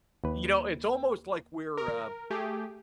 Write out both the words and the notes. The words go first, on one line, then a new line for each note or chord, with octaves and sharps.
You know, it's almost like we're, uh,
D#2 B4
A#4
A3 G4 G#4